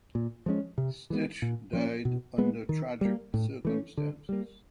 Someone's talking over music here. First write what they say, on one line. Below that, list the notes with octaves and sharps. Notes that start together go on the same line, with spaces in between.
Stich died under tragic circumstances.
A#2
F3 G#3 C#4
C3
E3 G#3 B3
A#2
F3 A#3 C#4
B2
G#3 B3
D#3
G3 A#3
A2
E3 A3 C#4
D3
G3 A#3